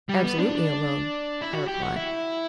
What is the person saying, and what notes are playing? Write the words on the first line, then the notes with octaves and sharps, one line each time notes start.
"Absolutely alone," I replied.
G3
B3
D4
E4
F#4
G4
F#4
E4